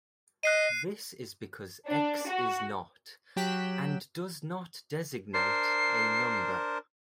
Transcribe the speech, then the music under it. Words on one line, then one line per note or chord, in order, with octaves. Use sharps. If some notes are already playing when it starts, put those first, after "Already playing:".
This is because "X" is not, and does not designate, a number.
D#5 F#6 C7 D#7
D4
F#4
F#3 G4 G5 F#6 B6 E7
D4 A#4 C5 C7